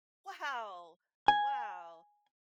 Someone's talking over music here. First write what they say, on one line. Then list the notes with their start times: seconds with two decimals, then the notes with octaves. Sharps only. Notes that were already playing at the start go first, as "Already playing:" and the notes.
Wow! Wow!
1.28 G#5